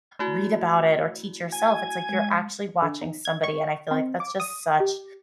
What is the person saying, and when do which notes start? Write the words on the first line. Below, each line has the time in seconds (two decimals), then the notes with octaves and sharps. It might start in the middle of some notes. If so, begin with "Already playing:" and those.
read about it or teach yourself, it's, like, you're actually watching somebody, and I feel like that's just such
0.19 A3 E4 F#4
1.52 G#5
2.09 G#3
2.82 D3
3.02 D#4
3.25 G#6
3.44 C#6
3.91 C4
4.20 D6
4.40 D#6
4.80 G4